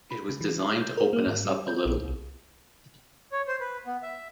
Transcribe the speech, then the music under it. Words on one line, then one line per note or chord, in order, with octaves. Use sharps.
It was designed to open us up a little.
B5
C#3
E3
C6
G6
A#4
A#3
G#2
G3
G6
A#1
C2
C#5
C5
B4
B3
E5